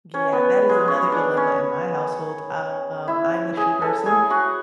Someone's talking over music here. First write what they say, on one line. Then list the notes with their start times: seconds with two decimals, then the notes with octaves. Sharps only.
Yeah, that is another dilemma in my household. Um, I'm a shoe person.
0.14 C#4 C#5
0.32 B3 B4
0.69 G#3 G#4
0.88 C#4 C#5
1.12 D4 D5
1.37 C#4 C#5
3.08 E4 E5
3.57 G#4 G#5
3.82 A4 A5
4.06 G#4 G#5
4.30 F#4 F#5